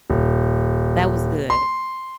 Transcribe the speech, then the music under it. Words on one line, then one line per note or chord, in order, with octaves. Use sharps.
That was good.
D#1
C6